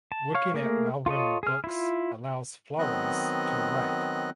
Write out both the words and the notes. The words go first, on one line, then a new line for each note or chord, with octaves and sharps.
Working at Malvern Books allows Flores to write.
A5
C#5 F5
A3 A#3 G#4 A#4
F4 A4 C#5 D#5
G#4 F6
E4 F4
D#3 F#3 B3 C4 D#5 F#6